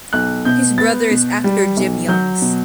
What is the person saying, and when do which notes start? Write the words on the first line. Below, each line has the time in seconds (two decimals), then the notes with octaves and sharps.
His brother is actor Jim Youngs.
0.13 B1 F#6
0.45 B2 G6
0.78 B3 A6
1.11 B2
1.44 G3
1.77 B1
2.08 F#3 G6
2.42 B2